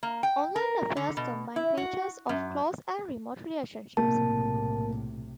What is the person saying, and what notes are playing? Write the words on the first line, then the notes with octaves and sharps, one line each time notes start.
Online affairs combine features of close and remote relationships.
A#3
G5
A#4
D3
B2
E4
F#4
F#2
B1 A2 C3 A#3 A5